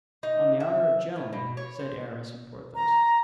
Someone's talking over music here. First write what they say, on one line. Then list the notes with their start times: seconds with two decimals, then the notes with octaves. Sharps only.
"On the honor of gentlemen," said Aramis and Porthos.
0.23 D#4
0.60 E5
1.16 A2
1.33 B2
1.57 C#5
1.79 C5
2.75 A#5